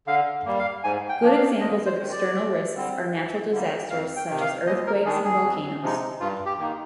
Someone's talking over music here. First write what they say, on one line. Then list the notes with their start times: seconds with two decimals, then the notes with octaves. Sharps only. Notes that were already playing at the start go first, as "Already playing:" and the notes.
Good examples of external risks are natural disasters such as earthquakes and volcanoes.
0.07 D3 F5
0.46 G3 A#3
0.59 F5
0.84 G#2 G#5
1.09 G5
1.22 F3 A#3 D4
1.35 F5
1.60 D#2 D#5
1.86 C5
1.99 D#3 G#3
2.12 D5
2.37 D#2
2.75 D3 G3 C4
3.13 D2
3.52 D3 G3 A#3
3.90 F2 F5
4.16 G5
4.29 C3 D#3
4.41 F5
4.66 D#2 D#5
4.87 A#4
5.05 D#3 G3 D4 G#4
5.24 G#4
5.43 F2
5.82 C3 F3 G#3 D#4
6.20 G2 F4
6.46 G4
6.58 D#3 A#3 D#4